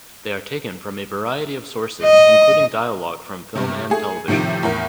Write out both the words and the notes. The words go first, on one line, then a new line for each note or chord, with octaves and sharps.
They are taken from a variety of sources including dialogue from film and television.
D#5
G2 C3
A3 G#4
A2 C3 D#3 F3
E2 A2 A#4